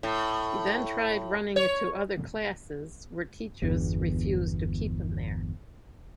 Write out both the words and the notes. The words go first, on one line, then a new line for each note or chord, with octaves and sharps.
He then tried running into other classes were teachers refused to keep him there.
A2
C#5
G1 E2